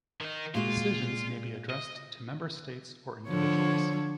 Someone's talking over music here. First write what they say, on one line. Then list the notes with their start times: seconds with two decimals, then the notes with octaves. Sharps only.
Decisions may be addressed to member states or individuals.
0.21 D#3 D#4
0.54 A#2 G#3 F4 F#4
1.70 D#5
3.29 D3 F3 C#5